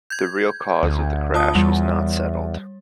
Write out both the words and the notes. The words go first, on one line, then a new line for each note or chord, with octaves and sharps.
The real cause of the crash was not settled.
G6 G#6
D2
F4 A5 D#6
E2 G3